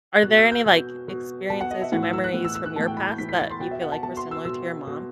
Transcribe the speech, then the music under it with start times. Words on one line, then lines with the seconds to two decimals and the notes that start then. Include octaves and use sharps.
Are there any, like, experiences or memories from your past that you feel like were similar to your mom's?
0.23 B2 F#6
0.38 E6
0.52 G6
0.66 B2
1.08 B2
1.50 B2 A5
1.61 F#5
1.71 D#5
1.82 E5
1.92 A2 E3 F#5
2.03 E6
2.13 E6
2.24 F#6
2.34 A2 E3
2.45 E6
2.55 E6
2.66 F#6
2.76 A2 E3 A5
2.87 G5
2.97 B5
3.08 G6
3.18 A2 E3 B6
3.29 B6
3.40 A6
3.50 C6
3.60 B2 G5
3.71 E5
3.81 F#5
3.92 A5
4.03 B2 A5
4.17 C6
4.31 E6
4.45 B2 E6
4.87 B2